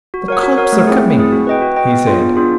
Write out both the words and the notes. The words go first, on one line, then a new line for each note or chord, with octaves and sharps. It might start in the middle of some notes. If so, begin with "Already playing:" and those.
'The cobs are coming!' he said.
F#4
A#4 C#5 F#5
F#4
A#4 C#5 F#5
A3
C4 E4 G#4
A3
C4 E4 G#4
F#4
B4 D#5 G5
F#4
B4 D#5 G5
B3
D4 F4 G#4
B3
D4 F4 G#4